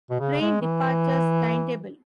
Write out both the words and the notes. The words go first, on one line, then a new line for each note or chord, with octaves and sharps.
Train departures timetable.
B2
C#3
G#3
E3